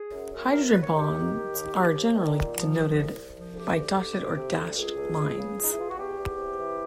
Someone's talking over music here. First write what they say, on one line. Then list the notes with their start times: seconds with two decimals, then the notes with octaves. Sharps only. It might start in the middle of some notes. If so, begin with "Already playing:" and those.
Hydrogen bonds are generally denoted by dotted or dashed lines.
Already playing: G#4
0.11 F#2
0.32 F#2
0.51 F#2 A#4
0.62 C5
0.67 B4
0.72 F#2
0.82 C#5
0.92 D#3
0.97 G4
1.13 D#3
1.33 D#3
1.53 D#2
1.73 D#2
1.93 D#2
2.14 D#3
2.33 A#2
2.54 F3
2.74 C2
2.94 C2
3.15 C2
3.35 F3
3.54 D2 G4
3.75 D2
3.95 D2
4.15 D2
4.36 C3
4.56 D2
4.76 C#2 G#4
4.96 C#2
5.17 C#2
5.37 C#3
5.57 C#2
5.63 D#4
5.71 E4
5.77 E3 F4
5.89 F#4
5.97 E2 G4
6.18 E2
6.38 C3
6.58 E3